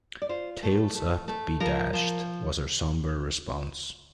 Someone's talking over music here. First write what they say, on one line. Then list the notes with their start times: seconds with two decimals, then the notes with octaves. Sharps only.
"Tails up be dashed," was her sombre response.
0.22 D5
0.29 F4 C5
0.63 A3
0.95 A3
1.28 A3
1.60 F3 A#4
1.93 F3